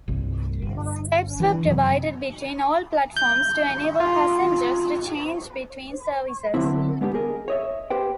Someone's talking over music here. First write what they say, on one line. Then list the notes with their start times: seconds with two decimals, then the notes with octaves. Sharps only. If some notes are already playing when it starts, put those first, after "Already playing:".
Steps were provided between all platforms, to enable passengers to change between services.
0.08 G1 C2
0.62 G1
1.40 E3
1.66 F#2 C3
3.17 G6
4.00 F4
6.54 D3 F#3 C4 E4
7.01 G#3 B3 D4 G4
7.14 G#4 A#4 D#5
7.48 C#5 D#5 E5
7.90 G4 B4 C5 G5